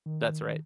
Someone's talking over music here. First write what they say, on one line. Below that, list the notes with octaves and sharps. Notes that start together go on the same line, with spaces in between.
That's right.
D#3